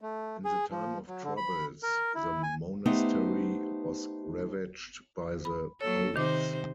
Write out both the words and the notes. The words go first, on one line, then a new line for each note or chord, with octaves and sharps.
In the Time of Troubles, the monastery was ravaged by the Poles.
A3
G#4
F3
F#3
D3
B5
A#4
E4
G#5
A3 B3 D#4 G4 C5
B5
F#3 A#3 A4 C#5
C3 D#3 D#4 C5 D6